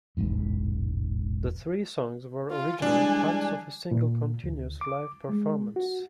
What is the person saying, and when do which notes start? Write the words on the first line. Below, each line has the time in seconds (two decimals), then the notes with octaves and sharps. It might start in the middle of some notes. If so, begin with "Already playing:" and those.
The three songs were originally parts of a single continuous live performance.
0.17 E1 A1 E2 G#2
2.50 F4
2.82 E3 G3 G#3 D4 G#5
3.91 A#2
4.44 D2
4.81 D6
5.29 G#3
5.76 F#4